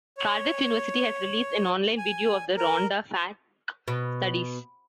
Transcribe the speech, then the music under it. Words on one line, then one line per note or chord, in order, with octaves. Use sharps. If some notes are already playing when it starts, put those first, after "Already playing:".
Cardiff University has released an online video of the Rhondda Fach studies.
C#5
G#5
A#4
B2